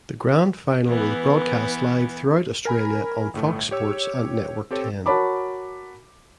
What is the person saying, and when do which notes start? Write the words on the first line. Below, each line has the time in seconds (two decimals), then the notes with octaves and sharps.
The Grand Final was broadcast live throughout Australia on Fox Sports and Network Ten.
0.87 E3 B3
2.65 A#4 G#5 B5
3.34 G1 A2 A3
3.71 G4 C#5 E6
4.71 C4 G4 A4 C#5
5.06 F#4 A#4 C#5 A5 B5 D6